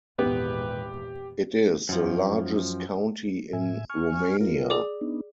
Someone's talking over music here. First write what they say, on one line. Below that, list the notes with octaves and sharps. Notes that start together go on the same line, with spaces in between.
It is the largest county in Romania.
G#1 E2 A#2 B3 G4 B4
F#2 F3
A2 E5 G#5
G#5 C#6 F6
F4 A#4
G#4 D5 D6
B3 D4 D#4